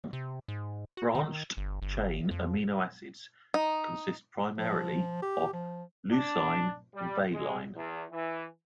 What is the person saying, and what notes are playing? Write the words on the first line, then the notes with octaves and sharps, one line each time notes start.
Branched-chain amino acids consist primarily of leucine and valine.
C3
G#2
F#4
D#3
G1
G1
F2
D#4
F3
G4
F3
D4
G3
G#3
E2
E3